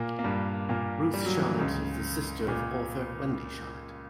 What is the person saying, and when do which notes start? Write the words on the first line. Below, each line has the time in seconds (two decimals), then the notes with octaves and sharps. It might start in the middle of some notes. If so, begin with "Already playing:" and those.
Ruth Shalit is the sister of author Wendy Shalit.
Already playing: A#2 A#3
0.19 A#3
0.24 G2 G3
0.69 A#2 A#3
1.14 G3
1.26 F#3
1.37 E3
1.48 D3
1.59 C#2 C#3
2.48 A#2